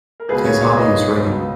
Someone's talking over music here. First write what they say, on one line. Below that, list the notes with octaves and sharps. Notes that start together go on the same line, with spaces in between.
His hobby is writing.
A#4
C#2 B2 G#4 B4
A#4 C#5
C#5 F5
B4 D#5
C#2 B2